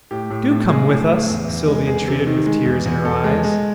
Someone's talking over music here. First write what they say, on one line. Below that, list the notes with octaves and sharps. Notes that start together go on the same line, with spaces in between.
"Do come with us!" Sylvie entreated with tears in her eyes.
A2 G4
A2
A2
G#3 G#4
A2
A2
E2
E2
G#3
E2 G#4
C3
D#3
G#3
E2
E2
E2 A4
G#3
G#3